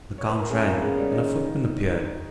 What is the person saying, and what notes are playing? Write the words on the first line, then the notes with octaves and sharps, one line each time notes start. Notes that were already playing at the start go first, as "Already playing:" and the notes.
The count rang, and a footman appeared.
C#5
B4
A#4
C#3 G#3 G#4
A#3 A#4
C#3 B3 B4
G3 G4
D#3 D#4